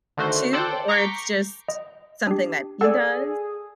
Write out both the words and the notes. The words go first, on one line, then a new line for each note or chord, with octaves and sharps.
too, or it's just something that he does?
D3 D#3 A3 F#4 C5
A4 C5 D5 F#5 G5 A5
A#5 C#6 D6 G6 B6 C7
D#5
D4 G4
G#4 A4 D5 F#5 E6